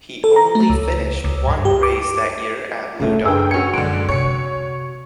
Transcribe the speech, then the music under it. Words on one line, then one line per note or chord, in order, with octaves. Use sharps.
He only finished one race that year at Loudon.
A4
A#5
A3
C#2
C#2
G2
G4
D6
G2 C#3 A3 E4
F#2 D4 G#4 A#4 B4 G5 E6
C#4 F#4 G#6 C#7
A#1 F#2 D3 G#3 D7
C3 C#5 C#7